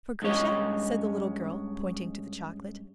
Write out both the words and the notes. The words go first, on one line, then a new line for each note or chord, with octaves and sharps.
"For Grisha?" said the little girl, pointing to the chocolate.
G2 G#3 C#4 C#5 D#5